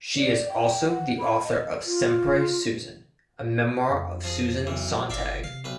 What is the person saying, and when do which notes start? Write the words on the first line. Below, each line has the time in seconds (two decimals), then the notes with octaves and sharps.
She is also the author of Sempre Susan: A Memoir of Susan Sontag.
0.16 D5
0.49 G5
0.88 F#5
1.19 B5
1.43 D#5
1.85 F4
3.90 F2
4.24 F3 G#4
4.67 B1 E3
5.10 G1 D5 E5 F5
5.44 C3 F5
5.64 B1 B4